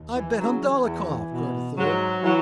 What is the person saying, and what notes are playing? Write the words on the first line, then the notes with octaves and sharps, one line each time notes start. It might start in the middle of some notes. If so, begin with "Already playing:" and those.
"I bet on Dolokhov!" cried a third.
Already playing: D#2
E3
C#3 E3 F#3
E3
E2
B2
G#2 F#3
E3 F#3